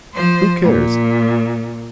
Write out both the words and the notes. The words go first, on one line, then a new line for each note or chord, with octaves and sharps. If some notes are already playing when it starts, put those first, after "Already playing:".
Who cares?
F3 C5
A#2